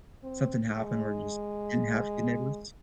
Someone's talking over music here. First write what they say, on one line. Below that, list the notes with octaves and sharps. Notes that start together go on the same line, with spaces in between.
something happen where you just didn't have good neighbors?
C4
G#3